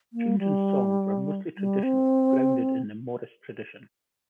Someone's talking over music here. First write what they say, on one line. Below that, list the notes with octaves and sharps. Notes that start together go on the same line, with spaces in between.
The tunes and songs were mostly traditional, grounded in the Morris tradition.
A#3
G3
G3
C4